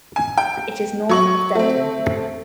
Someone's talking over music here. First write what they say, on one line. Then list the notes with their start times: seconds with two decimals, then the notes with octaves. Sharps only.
It is north of Denton.
0.16 G#5
0.38 G5
1.09 F#3 C#6 F#7
1.55 A3 C4